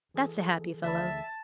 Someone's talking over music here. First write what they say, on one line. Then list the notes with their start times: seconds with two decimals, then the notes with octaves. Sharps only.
That's a happy fellow!
0.14 E3 G#4 A4
0.84 D2 D5 E5 A5 B5